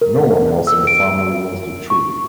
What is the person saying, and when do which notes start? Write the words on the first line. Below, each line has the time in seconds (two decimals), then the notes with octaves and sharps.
No one else in the family wants the truth.
0.01 A#4
0.67 E6
0.87 D7
1.90 C#6